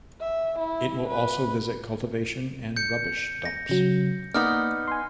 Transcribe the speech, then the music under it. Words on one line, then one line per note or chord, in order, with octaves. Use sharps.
It will also visit cultivation and rubbish dumps.
E5
E4
B4
G6 C#7
A#6
C#3 F#3
A#3 B3 D#4 D5 F6
G#5 C6